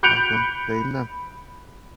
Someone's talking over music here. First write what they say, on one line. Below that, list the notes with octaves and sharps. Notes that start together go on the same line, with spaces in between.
I don't blame them.
B5 F#6 G6 C#7 D7 F7